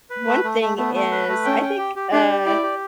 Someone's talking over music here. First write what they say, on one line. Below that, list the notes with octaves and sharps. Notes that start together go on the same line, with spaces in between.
one thing is I think, uh,
B4
A3
A3
A3
A3 B3
A3
B4
A3
C#4 G5
G5
G4
G4
D4 G4
G4
E4 D5
G4